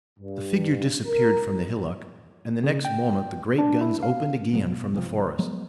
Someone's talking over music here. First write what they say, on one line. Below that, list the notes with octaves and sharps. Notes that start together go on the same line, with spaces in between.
The figure disappeared from the hillock and the next moment the great guns opened again from the forest.
G2
A#4
C#3
G5
D4
E4
F5
B2 F#3 B3
B1 G2 C3 F3
F3 F#3 G#3 B3